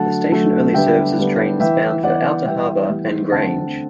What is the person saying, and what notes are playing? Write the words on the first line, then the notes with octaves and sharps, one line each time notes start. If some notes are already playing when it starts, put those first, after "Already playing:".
The station only services trains bound for Outer Harbor and Grange.
Already playing: D3 F#3 A3 F#5 A5
D3 F#3 A3
D3 G3 B3 E5 G5
D3 G3 B3
E3 B3 E5 G5
E3 B3 D5 F#5
E3 G3 B3 E5 G5
E3 G3 B3
D3 A3 C4 F#5 A5